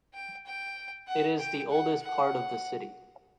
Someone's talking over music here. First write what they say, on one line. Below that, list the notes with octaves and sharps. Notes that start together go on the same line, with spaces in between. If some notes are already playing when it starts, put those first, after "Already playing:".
It is the oldest part of the city.
G5
G5
F#5
G5
F#5
F#5